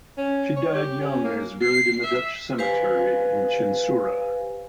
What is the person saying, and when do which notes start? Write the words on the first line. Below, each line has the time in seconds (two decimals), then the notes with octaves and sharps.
She died young and is buried in the Dutch Cemetery in Chinsurah.
0.18 C#4
0.57 C#5
0.75 G4
1.01 C#4
1.25 A#3
1.63 C7
2.03 E5
2.58 G4 B4 C5 F5 G#5